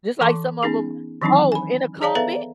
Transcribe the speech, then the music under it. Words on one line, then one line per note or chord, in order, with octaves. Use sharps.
just like some of 'em Oh, in a comment,
E3 A4 A5 C6 D6
B3 C#4 D#4 G#4
D#3 E3 F#3 C4 D4 D#4
G#5 B5
G#4 C#5 D5 F5 A5 A#5
B3 A4 B4 E5 F5 A#5